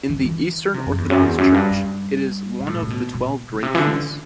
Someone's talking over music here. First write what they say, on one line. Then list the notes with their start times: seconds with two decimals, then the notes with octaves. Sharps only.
In the Eastern Orthodox Church, it is one of the twelve Great Feasts.
0.10 E3
0.19 D3
0.25 E3
0.74 C3
0.86 F#2
0.98 E2
1.10 F#2
1.22 E2
1.38 F#2
1.54 G2
1.70 G2
2.60 B2
2.67 A2
2.83 C3
2.90 B2
3.15 B2
3.54 B2
3.63 C3
3.75 E3
3.79 D3
3.94 D3